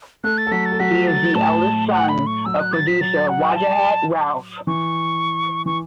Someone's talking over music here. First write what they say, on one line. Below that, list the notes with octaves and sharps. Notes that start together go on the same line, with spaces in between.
He is the eldest son of producer Wajahat Rauf.
A3 A4 F#6
A6
A4
F#3 F#4 B6
A6
A4
F#3 F#4 B6
A6
F#3
A2 A3 A5
F#5
B5
C#6
F#3 E6
F#6
A6
B6
F#3 A6
F#5
A5
E3 C#6
E3 C#6